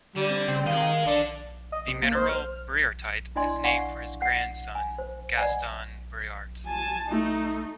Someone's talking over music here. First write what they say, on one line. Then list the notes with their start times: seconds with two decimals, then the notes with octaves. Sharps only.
The mineral Briartite is named for his grandson, Gaston Briart.
0.16 D3 G3
0.29 C4
0.48 C#3 C4
0.66 D#3 G#4 D#5 F5
1.06 D3 D4 A4
1.72 D#5
1.88 C3
2.02 A#3
2.15 C5
2.29 F6
3.35 D4 E4 D5 D#5 G#5 C6
3.64 D5 F5 F#5 G#5 C#6
4.22 F#5
4.75 G#5
4.98 C5
5.37 D5 D#5 F#5 G#5
6.66 G#5 A5
7.08 A3 D#4